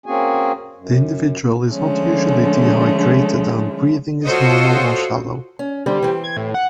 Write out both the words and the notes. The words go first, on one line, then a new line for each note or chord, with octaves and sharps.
The individual is not usually dehydrated and breathing is normal or shallow.
A#3 C4 C#4 F#4 G#4 G#5
F#2
D3 F3 G#3 A3 C#4
F4 F#4 A4 C5 C#5 D#5
C#4
D3 G3 C4
E3 C4
G#6
A2
F#5